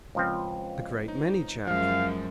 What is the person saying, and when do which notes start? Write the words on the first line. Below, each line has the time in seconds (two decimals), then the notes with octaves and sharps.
"A great many, Jack."
0.15 C#2 F3 C4
1.08 D#4
1.67 F#2 F3 G#3 F5